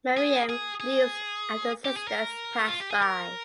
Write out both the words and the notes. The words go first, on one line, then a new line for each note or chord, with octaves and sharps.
Maryam leaves after the sisters pass by.
G#4
G#4
G#4
G4
G#4
A#4
F4
G4
G#4
A#4